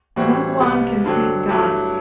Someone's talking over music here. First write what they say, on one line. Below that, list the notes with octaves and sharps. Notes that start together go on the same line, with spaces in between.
No one can hate God.
A2 E3 G3 C4 F#4
C2 C3 G3 B3
G2 D3 F#3 C4
G2 F#3 A3 E4